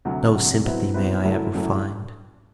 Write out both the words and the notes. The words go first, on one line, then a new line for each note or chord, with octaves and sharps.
No sympathy may I ever find.
D2 C3 F#3
D2 C3 F#3
B2 F#3 C4 E4 B4
B2 F#3 C4 E4 B4
F#1 F#2 F#3 A3 E4
F#1 F#2 F#3 A3 E4